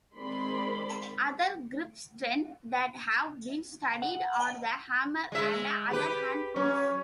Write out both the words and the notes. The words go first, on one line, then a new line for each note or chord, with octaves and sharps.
Other grip strengths that have been studied are the hammer and other hand tools.
D#3 G#3 C4 D5 B5 C6
F#5
G#3 E5
G4 B4
F#3 C#4